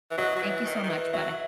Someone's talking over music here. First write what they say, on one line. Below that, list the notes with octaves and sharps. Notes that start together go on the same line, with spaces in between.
Thank you so much, bye-bye.
E3
F#3 D#5
F#3
E3
D#3
D#3
E3
F#3 E5